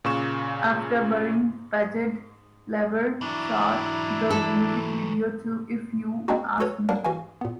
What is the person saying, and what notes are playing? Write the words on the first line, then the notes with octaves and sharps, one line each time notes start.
After burying Padgett, LaBelle shot the music video to "If You Asked Me To".
A#2 C#3 C#6 E7
E3 F#3 D4 E4
A4
G#3 A#3 C4 D4 D#4 F#4
F#4 A4 B4 C#5
F#3 G3 A#3 D4 A#4 F#5
E3 F#4 F5 G#5
A#2 B3